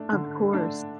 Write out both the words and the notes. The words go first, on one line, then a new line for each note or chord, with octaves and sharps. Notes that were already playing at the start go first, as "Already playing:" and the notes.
Of course.
Already playing: A3 D4
D3
A3 D4